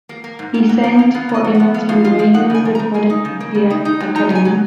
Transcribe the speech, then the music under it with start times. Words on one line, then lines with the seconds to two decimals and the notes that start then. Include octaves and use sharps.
He signed for Everton where he was a product of their academy.
0.09 A#3
0.24 A#3
0.39 G#2
0.54 G#2 A#4
0.69 G#2 F#4
0.84 F3 A#4
0.99 A#3 F5
1.14 B3 F5
1.29 C#3
1.34 D#5
1.44 F3
1.55 F#5
1.60 B3
1.74 B3 F5
1.89 F3 F5
2.04 F4 F5
2.19 F3 F5
2.34 D#4 F#5
2.50 C#3 G#5
2.65 F3
2.75 A#5
2.79 C#3
2.94 A#3 G#5
3.10 D#4
3.25 C#3
3.40 A#3
3.55 C#3
3.70 D#4
3.85 D#4
4.00 F#3
4.16 D#4 A#5
4.30 C#3
4.35 G#5
4.45 F#3